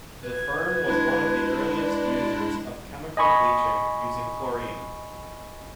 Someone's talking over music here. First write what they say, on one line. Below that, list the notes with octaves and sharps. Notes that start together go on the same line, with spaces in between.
The firm was one of the earliest users of chemical bleaching using chlorine.
B4 G#6
G#3 D4 E4
D5
D#5 G#5 B5 C#6 D#6